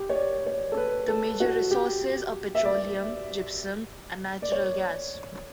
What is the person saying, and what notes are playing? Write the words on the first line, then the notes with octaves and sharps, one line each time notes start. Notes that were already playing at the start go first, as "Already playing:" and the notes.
The major resources are petroleum, gypsum and natural gas.
Already playing: G4
C#5
D5
C#5
A4
B4
A4
F#4
G4
E5
D5
D5
C#5